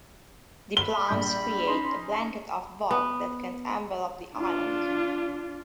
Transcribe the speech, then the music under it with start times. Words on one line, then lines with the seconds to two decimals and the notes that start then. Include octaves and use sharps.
The plumes create a blanket of vog that can envelop the island.
0.77 B5 G7
1.09 A#1 G3 G6
1.67 C#4 D#4 C6
2.91 B3
4.37 D4 F4